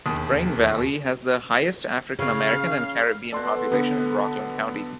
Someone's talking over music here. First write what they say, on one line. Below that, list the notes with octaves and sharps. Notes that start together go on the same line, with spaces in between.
Spring Valley has the highest African American and Caribbean population in Rockland County.
E1 D#2 D#6
C#3 F5
B2 A4 D5 C6
D3 B3